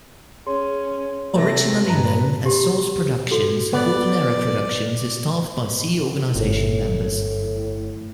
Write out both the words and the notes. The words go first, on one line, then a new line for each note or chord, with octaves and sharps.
Originally known as Source Productions, Golden Era Productions is staffed by Sea Organization members.
C#4 G#4 C#5 C6
C3 A3 A#6
G2 B4 A5 A#5
G4 C6
F#4 A4
B3 D5
G1 A2